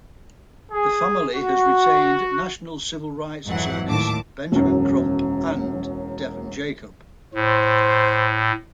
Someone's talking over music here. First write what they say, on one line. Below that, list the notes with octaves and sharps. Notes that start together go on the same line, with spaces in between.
The family has retained national civil rights attorneys Benjamin Crump and Devon Jacob.
G#4
F#4
F2 G#2 E3 F#3 F#5
D#2 A2 A5 D6
E1 F#2
A2 C5